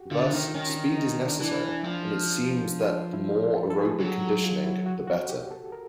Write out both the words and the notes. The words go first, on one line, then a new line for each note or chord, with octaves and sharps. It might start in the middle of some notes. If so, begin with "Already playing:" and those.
Thus, speed is necessary, and it seems that the more aerobic conditioning, the better.
Already playing: F#4 G4
D3 F4
D#3 D#4
D#3 C#4
D4
D#4
D4
E3 D4
F3
E4
F4
A4
A4
G#4
F#3 G4
F#4
F4
E4
F#4
F#4
G4
A4
A#4